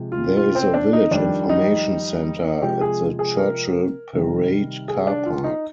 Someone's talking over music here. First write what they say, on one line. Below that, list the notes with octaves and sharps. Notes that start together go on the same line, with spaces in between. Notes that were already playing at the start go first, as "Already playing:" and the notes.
There is a village information centre at the Churchill Parade car park.
Already playing: C3 F3 G#3
F4
F4
C4
D4
D#4
F2 D#3 G3 D4
D#4
C3 F3 G#3 G4
G#4
G#4
A#4
C3 D#3 G3
G#4
D4
F4
D#4